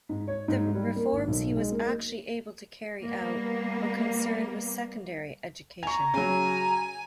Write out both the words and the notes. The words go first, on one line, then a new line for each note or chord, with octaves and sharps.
The reforms he was actually able to carry out were concerned with secondary education.
G#2
C#5
G#2
G3
A#3
G#1
B1
G#3
A#3
G3 A#3 B3
G#5 A#5 C#6
C#3 F#3 G#5